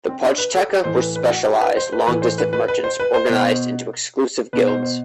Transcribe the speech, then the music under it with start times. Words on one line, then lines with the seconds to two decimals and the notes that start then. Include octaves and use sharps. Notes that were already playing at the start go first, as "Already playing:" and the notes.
The pochteca were specialized long distance merchants organized into exclusive guilds.
0.09 C4
0.23 D4
0.38 B4
0.54 A4
0.69 G4
0.84 A2 E3 C5
1.00 B4
1.16 B4
1.30 F#4
1.46 G4
1.61 B4
1.77 C5
1.93 B4
2.07 A2 E3 B4
2.22 C5
2.38 B4
2.53 B4
2.68 B4
2.84 C5
3.00 B4
3.14 C5
3.29 B2
4.53 B2 B4
4.68 C5
4.83 C5